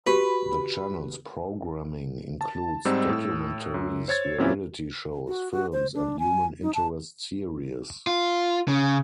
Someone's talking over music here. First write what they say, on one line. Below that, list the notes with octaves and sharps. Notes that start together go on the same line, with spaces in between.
The channel's programming includes documentaries, reality shows, films, and human interest series.
F#4 G4 B4 B5
A5
G#2 G3 C4 D#4 E6
A2 E6
F#2
C5 C#5 G#6 A6
A#2 F#3 C4 C#4 E4 G4
F#4
F#4
C5
D4
G#5
D#4
A5
F4
C#3